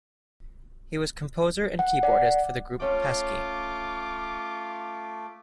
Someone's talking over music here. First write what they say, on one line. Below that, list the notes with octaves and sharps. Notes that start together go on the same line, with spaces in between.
He was composer and keyboardist for the group Pesky.
F#5
D5 F#5
A3 C#4 F4 G5 D6